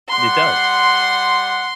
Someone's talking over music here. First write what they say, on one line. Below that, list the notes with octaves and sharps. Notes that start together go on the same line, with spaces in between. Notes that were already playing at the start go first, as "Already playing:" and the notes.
It does.
G3 F#5 C6